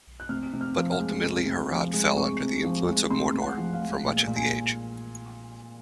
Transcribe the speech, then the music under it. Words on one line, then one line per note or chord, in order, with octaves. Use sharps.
But ultimately Harad fell under the influence of Mordor for much of the Age.
F#6
C3 F6
C3
F6
F3
F6
G#3
C3
C3
F3
G#3
C3 C#6
C3
F3
G#3
C3 C6
C3
F#5
F3
F5
G#3
A#2 F5
A#2
G#5